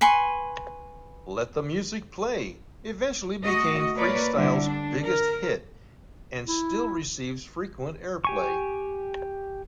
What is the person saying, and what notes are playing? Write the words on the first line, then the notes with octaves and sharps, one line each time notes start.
"Let the Music Play" eventually became freestyle's biggest hit, and still receives frequent airplay.
B4 G#5 C6 C#6
A3 F#4 D#5
A#3 A#4 B4 C#5 D5
D3 G3 E4
D4
A#4
E4
G4 G#5 C#6